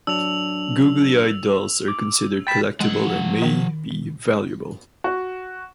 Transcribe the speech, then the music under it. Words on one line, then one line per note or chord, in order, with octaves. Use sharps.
Googly eyed dolls are considered collectible and may be valuable.
F#3 D4 E6 F7
D6
G5 B5 A6 B6 E7
F3 G#3 F#5
D#3
F#4